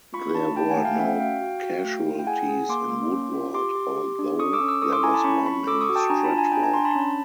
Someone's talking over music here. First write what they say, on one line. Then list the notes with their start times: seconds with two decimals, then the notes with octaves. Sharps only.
There were no casualties in Woodward, although there was one in Stratford.
0.13 F4 B5 C#6
0.35 D4 A5 B5
0.56 A3 G5 A5
0.70 F#5 G#5
0.77 A3
0.85 F5 G5
0.99 C#4 E5 F#5
1.20 F#4 F5 G5
1.41 F#4
1.63 F#4
1.84 A3
2.06 E4
2.19 G5
2.27 G#4 F#5 G#5
2.48 G#4
2.69 A#3 C6 D6
2.90 A#3
3.12 C#4
3.33 F4
3.54 G4 C6 D6
3.75 G4
3.97 G4
4.19 D4
4.39 A4 C#6 D#6
4.53 D6 E6
4.60 C#4
4.69 D6 E6
4.82 A4 C#6 D#6
4.92 C6 D6
5.03 E4 G#5 A#5
5.14 A5 B5
5.24 C#4 B5 C#6
5.46 C#4 B5 C#6
5.67 A4 D6 E6
5.81 C#6 D#6
5.89 F#4
5.95 G5 A5
6.10 D4 G#5 A#5
6.24 A5 B5
6.31 F4
6.38 G#5 A#5
6.52 D4 G5 A5
6.63 G#5 A#5
6.74 D4 A#5 C6
6.85 A5 B5
6.95 C#4